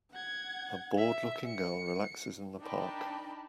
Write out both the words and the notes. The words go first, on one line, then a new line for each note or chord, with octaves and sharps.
A boredlooking girl relaxes in the park.
F#5 G#6
E5
C#7
D4 D#4 A#4 G5 A5 B5